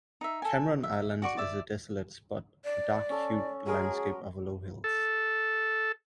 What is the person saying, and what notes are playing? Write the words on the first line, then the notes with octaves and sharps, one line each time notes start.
Cameron Island is a desolate spot: a dark-hued landscape of low hills.
D#4 E5
A4 G#5
E5
F#4 D5 C#6
D5 E5
D5
C#4 A4
F#3 G#3 G#4 A#4
A4